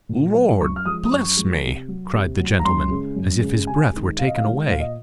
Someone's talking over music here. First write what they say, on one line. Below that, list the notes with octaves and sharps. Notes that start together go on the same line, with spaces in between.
"Lord bless me!" cried the gentleman, as if his breath were taken away.
A#2
F#3
F#2 C#6
F6
F3 G#3 D#6
D#6
F#2 C#6
F3 G#3
C3
F#3
C3
F#3
A#5
F#2 C6
C#3 G#3
F#2
C#3 G#3
C3 G#5
D#3 G#3
C3 F5
D#5
F5
D#3 G#3
A#2 F5
D#5